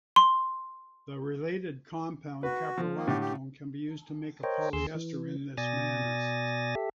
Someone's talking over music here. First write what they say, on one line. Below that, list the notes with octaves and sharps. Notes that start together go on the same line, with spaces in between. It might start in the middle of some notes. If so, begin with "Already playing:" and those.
The related compound caprolactone can be used to make a polyester in this manner.
C6
F#4 B4
F3
A#3
A2 D3 G4
G4
A#4 C5 C#5 D#5 G5
D#2 G#4 C6 E6
E3
B2 D5 G#5 D#6 A6 A#6
G4 A4 E5